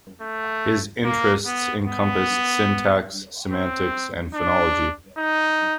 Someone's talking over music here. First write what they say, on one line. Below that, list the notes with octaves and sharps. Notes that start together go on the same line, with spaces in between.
His interests encompassed syntax, semantics and phonology.
A3
A#3
B3
B3
C4
D4
D#4